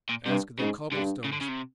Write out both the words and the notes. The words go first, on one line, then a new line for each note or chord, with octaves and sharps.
Ask the cobble stones.
A#2
G2 C3
G#2 C#3
G2 D3
C#3
D3
C#3
C3